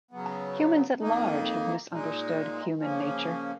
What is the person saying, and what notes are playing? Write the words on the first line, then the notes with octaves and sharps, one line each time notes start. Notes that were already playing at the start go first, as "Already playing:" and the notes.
Humans at large have misunderstood human nature.
C#3 F#3 B3
F2 D#3 A#3 D#4
A#2 G#3 D#4
C#3 F3 A#3 C#4